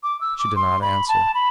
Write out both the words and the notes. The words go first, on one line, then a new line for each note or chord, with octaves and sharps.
She did not answer.
D6
E6
D6
C6
B5
A5
B5